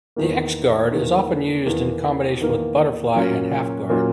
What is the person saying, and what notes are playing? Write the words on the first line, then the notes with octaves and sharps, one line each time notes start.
The x-guard is often used in combination with butterfly and half guard.
E2 D#3 A#3
E2 D#3 A#3
E2 D#3 A#3
E2 D#3 A#3
A#2 F#3 A#3 C#4
A#2 F#3 A#3 C#4